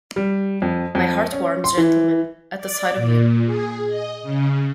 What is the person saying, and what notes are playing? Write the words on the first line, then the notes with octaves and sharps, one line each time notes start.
My heart warms, gentlemen, at the sight of you.
G3
F2
F2
C#4
C6
E3
D5
A#2
G#4
D#5
C#3